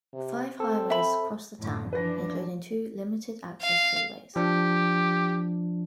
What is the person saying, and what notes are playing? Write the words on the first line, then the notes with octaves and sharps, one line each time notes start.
Five highways cross the town, including two limited-access freeways.
C3
C4 A4
E5 B5
F#2 A2 D3
E3 F3 D4 B4 A#6
F5
F3 D4 G4